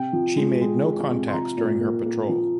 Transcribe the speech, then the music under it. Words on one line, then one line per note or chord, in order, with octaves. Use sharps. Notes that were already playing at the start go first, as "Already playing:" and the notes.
She made no contacts during her patrol.
Already playing: C3 G5
F3
G#3
G#3
G#3
C3
C6
F3 A#5
A#2
A#3
A#3
F3